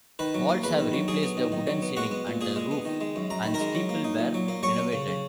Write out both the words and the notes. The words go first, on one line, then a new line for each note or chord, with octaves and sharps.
Vaults have replaced the wooden ceiling and the roof and steeple were renovated.
D#3 B4 B5
F#3
A#3
E2 B4 B5
D#3
F#3
F#3 G#4 G#5
B3
D#3
D#3
F#3
B3
G#3 F#4 F#5
B3
A#2
A#2 G#4 G#5
G#3
B3
D#3
G#3
F#2
F#2 A#5
D#3 B5
A#4 A#5
G#3
F#3
A#3
D#4
A#2
F#3
A#3
F#3 C#5 C#6
C#4
C#3
C#3